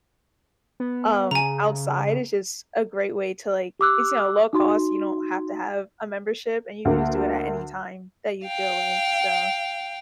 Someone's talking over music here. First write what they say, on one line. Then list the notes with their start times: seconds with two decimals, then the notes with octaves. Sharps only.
um, outside is just a great way to, like it's, you know, low-cost, you don't have to have a membership, and you can just do it at any time that you feel like, so,
0.80 B3
1.31 C#3 G#5 A#5
3.80 G4 D6 E6 F#6
4.53 D#4 F#4 C6
6.85 D2 A#3
8.46 F5 G5